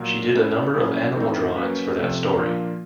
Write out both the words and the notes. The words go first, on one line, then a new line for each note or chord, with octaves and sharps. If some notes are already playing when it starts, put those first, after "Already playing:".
She did a number of animal drawings for that story.
Already playing: A#2 F#3 A#3
A3 C#4 E4 A4 C5
F#3 A#3 C#4 E4
A2 E3 A3 C4 D#4
F#3 A#3 C#4 F#4 B4
C3 F3 A3 C4
A#2 F3 A#3 D4 F4